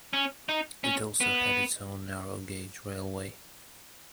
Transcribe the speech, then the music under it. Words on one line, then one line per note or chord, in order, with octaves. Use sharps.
It also had its own narrow gauge railway.
C#4
D#4
C#4
B3